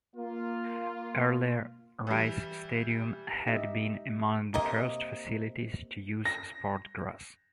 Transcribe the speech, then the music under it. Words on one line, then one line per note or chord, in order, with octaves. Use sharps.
Earlier, Rice Stadium had been among the first facilities to use SportGrass.
A#3 F4
E3 G3
D#4 G4 D#5 E5
C3 A#3 D#5
A#6